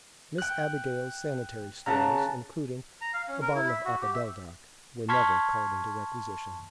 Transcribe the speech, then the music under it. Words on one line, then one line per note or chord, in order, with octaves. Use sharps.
Miss Abigail's sanitary stores, including a bottle of opodeldoc, were never called into requisition.
G5 F#6
C#3 F#5 A5 A#5
A#5
F5
C#4
A#4
E4
E5
F#4
G4
E5
A5 C6 C#6 F6 G#6 B6